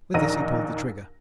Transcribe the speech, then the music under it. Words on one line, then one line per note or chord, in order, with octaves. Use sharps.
With this he pulled the trigger.
A#1 D#2 D#4 A#5 A#6 D#7